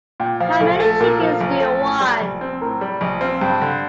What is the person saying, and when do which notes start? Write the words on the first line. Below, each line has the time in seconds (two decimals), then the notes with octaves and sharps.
How many chickens do you want?
0.20 A#2 G5
0.40 F3 F5
0.60 A#1 A4
0.80 A3 A4
1.00 A#2 A#4
1.20 F3
1.41 A#1
1.60 A3
1.81 A2
2.01 G3
2.21 A#1
2.41 C4
2.61 A2 A#4
2.81 G3
3.01 A#1 D#5
3.21 C4 F5
3.41 G2 G5
3.61 D3